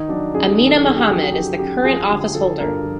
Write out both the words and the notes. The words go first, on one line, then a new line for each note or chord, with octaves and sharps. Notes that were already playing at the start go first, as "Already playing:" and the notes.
Amina Mohammed is the current office holder.
Already playing: D#3 D#4
F#3 D4
F#2 G#4
G#4
D#3
A4
F#2 G#4
G4
F#3 G#4
G4
F#3 G4
F#2 G4
F3 G#4
D3 G4
F3 A4
G2 A#4
F3